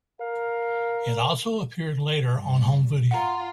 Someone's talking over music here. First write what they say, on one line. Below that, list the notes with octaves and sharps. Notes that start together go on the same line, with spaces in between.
It also appeared later on home video.
A#4 F5
G2
F4 F#5 A#5